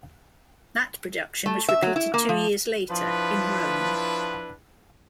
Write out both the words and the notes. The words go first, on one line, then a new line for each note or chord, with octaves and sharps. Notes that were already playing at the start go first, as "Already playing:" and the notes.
That production was repeated two years later in Rome.
A3
E5
F#3
E4
A#3
F3
F3 D4 E4 B4